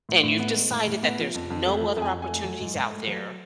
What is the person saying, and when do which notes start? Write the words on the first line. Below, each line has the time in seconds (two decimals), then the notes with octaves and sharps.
and you've decided that there's no other opportunities out there
0.09 A2
0.23 A2
0.39 B3
0.56 G#3
0.70 A2
0.87 A2
1.03 B3
1.19 F3
1.34 F2
1.50 F2
1.66 A3
1.81 F3
1.96 F2
2.02 G#5
2.12 F2
2.22 G#5
2.28 A3
2.44 F#3
2.60 G#2
2.75 G#2
2.90 A3
3.07 F#3